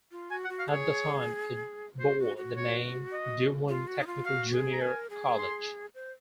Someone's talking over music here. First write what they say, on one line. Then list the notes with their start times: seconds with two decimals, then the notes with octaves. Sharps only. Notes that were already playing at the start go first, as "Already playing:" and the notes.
At the time, it bore the name Doowon Technical Junior College.
0.12 F4
0.30 F#4 G#5
0.44 F#5
0.49 F#4
0.59 F5
0.68 G#4 C#5
1.99 F#4 C5
2.18 F#4
2.37 F#4
2.56 C#5
3.13 D#5
3.69 F4
3.87 F#4
4.01 D#4
4.07 F4
4.25 F#4 F5
4.53 G#4
4.73 A#5
4.81 A#4 G#5
5.10 G#4
5.38 C6
5.95 C5